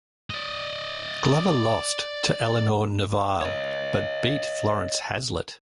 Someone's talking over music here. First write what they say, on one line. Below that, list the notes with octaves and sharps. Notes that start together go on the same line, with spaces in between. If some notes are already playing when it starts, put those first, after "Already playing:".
Glover lost to Elinor Nevile but beat Florence Hezlet.
D5 D#5
C#5 D#5